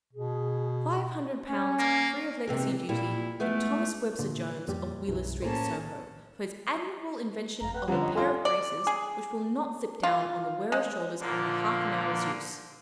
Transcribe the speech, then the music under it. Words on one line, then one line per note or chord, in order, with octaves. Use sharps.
Five Hundred Pounds, free of legacy duty, to Thomas Webster Jones, of Wheeler Street, Soho, for his admirable invention of a pair of braces which will not slip down on the wearer's shoulders after half an hour's use.
B2 G#4
C#4
A#3
C3 E3 G#3
A#2 G3 E4
G#3 A3 B3
A#2 D3
F2 A#2 G3 G4
B1 F#2 E3
A2 A#3 C#4 G#4 A4 C5 A5
G1 F2 F5 A#5
B4 F#5 G5 F#6
F2 D3 G3 C4 C#4 G4 F#5 A#5
C#5 D#5
C#4 D4 F4 A4 D#5 G#5 C6
D5
G#4
F4
G#3
A#2 D3 F3 A#3